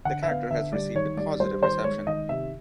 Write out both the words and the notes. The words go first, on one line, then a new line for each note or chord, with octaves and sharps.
The character has received positive reception.
D3 F#5
E5
B3 F5
D3 E5
G3 D5
D#3 C#5
G3 D5
G3 C5
D#3 C5
G#3 C#5
D#3 D#5
C3 E5